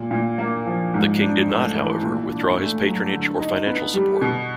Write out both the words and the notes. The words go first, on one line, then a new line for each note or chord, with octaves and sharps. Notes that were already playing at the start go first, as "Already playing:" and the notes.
The king did not, however, withdraw his patronage or financial support.
Already playing: A#2
A#2
A#3
F3
G#2
D4
A3
E3
A#2
D4
A3
F#3
D3
D#4
B3
G3
B2